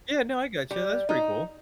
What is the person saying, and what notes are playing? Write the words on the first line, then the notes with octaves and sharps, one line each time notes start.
Yeah, no, I gotcha, that's pretty cool.
G3
D#4